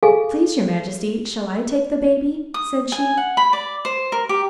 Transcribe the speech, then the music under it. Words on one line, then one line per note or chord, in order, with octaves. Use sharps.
"Please, your Majesty, shall I take the baby?" said she.
G#4 A4 F5 G#5
D#6
G#5
F#5
B5
D5
C5
A#4
G4